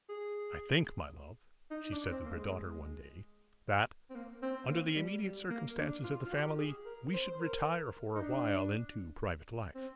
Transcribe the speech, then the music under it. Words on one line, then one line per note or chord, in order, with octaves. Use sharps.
"I think, my love," she said to her daughter one day, "that, under the immediate circumstances of the family, we should retire for a while into private life."
G#4
D#4
D4
C4
A#3
G#3
C4
A#3
C4
A#3
G3
G3
A#3
D4
F4
F4
G4
G#4
A#4
C5
C5
A#4
D#4
D4
C4